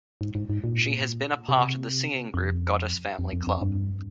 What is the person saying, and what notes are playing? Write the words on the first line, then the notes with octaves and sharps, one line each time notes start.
She has been part of the singing group Goddess Family Club.
G#2
G#2
G#2
A#2
C3
F2
F2
F2
F2
G2